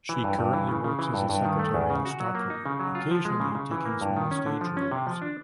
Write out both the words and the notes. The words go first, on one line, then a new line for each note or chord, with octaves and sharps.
She currently works as a secretary in Stockholm, occasionally taking small stage roles.
E3
G2
G2
E3
C#3
C#3
E3
G2
G2
D#3
A3
E2
C#3
F#4
F#3
A#3
D#4
C#3
F#3
F4
F3
G#3
C#3
C#3
E3
A#3
G2
D#3
C#4
D3
F3
C#4
C3
F3
D4